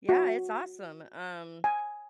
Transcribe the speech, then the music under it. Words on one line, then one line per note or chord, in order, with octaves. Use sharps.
Yeah, it's awesome, um,
F#4
G#5